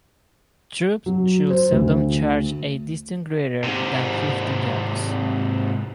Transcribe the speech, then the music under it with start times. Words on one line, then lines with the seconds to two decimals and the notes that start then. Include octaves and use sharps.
Troops should seldom charge a distance greater than fifty yards.
1.06 F#3
1.50 C5
1.72 D2
3.64 G#2 C3